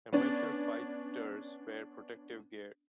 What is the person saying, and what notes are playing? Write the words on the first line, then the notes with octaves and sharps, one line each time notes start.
Amateur fighters wear protective gear.
B3 C#4 D4